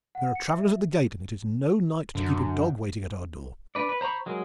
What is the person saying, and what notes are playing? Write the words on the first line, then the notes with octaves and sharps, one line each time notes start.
There are travelers at the gate, and it is no night to keep a dog waiting at our door.
F#5
C#7
E5
F#2 D3
D4 B4 D5
B4
C5 A#5 B5 C#6
F#3 G#3 G#4 A#4